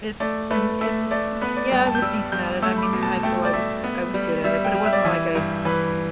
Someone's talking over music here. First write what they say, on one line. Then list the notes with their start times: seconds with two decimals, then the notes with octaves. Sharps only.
It's in in Y yeah, I was decent at it, I mean in high school I was I was good at it, but it wasn't like I,
0.20 A3 D5
0.51 A3 B4
0.81 A3 E5
1.11 A3 D5
1.41 B3 B4
1.56 D5
1.72 G2 G5
1.87 A5
1.95 G6
2.02 G3 E6
2.32 G2 G6
2.62 A3 E6
2.76 B5
2.83 D6
2.93 B2
3.03 A5
3.23 A3 G5
3.45 D5
3.53 A3 E5
3.84 B3
4.14 G3
4.44 G3 E5
4.65 G5
4.74 G3
4.85 E5
4.93 D5
4.99 E5
5.05 E3
5.35 G2
5.65 E3 B4